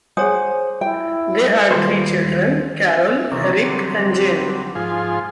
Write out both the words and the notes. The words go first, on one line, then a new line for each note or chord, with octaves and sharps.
They had three children: Carol, Eric and Jane.
G#4 C5 C#5 F#5 G#5 D#6
E4 G5
D#2 G3 F4 A4 B4 C5
C3 D#3 E3 A#3 C#4 D4
D3 F#3 G3 C4
G#2 F3 F4 G#4 C6